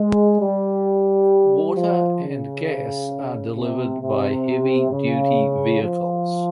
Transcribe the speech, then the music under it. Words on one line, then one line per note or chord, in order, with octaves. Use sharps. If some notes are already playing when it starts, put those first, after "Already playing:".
Water and gas are delivered by heavy duty vehicles.
Already playing: G#3
G3
F3
C#3
C3
C3
C#3
F3